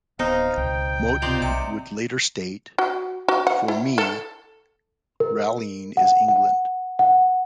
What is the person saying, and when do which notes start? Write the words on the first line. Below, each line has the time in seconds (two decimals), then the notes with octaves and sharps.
Mouton would later state: For me, rallying is England.
0.19 D1 B3 C4 D#4 F5
0.58 C#2 B2 G5
1.22 D#4 F4 C5 D5
1.42 B1 C3 D6
2.78 F#4
3.28 F#4
3.47 F#5
3.68 E4
3.98 A4
5.20 A#4
5.97 F#5
6.28 F#5
6.99 F#5